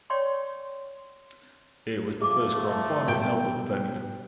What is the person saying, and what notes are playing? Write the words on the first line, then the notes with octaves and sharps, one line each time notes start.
It was the first Grand Final held at the venue.
C#5 D5 G5 C6 C#6
F3 A3 G#4 D6
G#2 B2 G3 G5